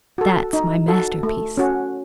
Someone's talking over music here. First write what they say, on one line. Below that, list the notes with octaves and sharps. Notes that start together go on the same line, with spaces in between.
That's my masterpiece.
F#4 A4
D#4
F#4 A4
A3
C#4 F#4